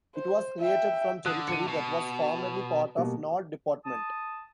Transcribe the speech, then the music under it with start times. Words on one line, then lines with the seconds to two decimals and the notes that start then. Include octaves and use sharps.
It was created from territory that was formerly part of Nord Department.
0.15 C5
0.61 E5 G5
1.26 D3 D#6 F#6
1.48 C#7 D#7
1.68 B2
2.97 B2 G3 A#3
3.85 A5 D#6